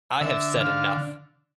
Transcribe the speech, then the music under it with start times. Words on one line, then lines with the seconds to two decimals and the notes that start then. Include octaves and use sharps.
I have said enough.
0.21 D3 E5
0.60 D3 F5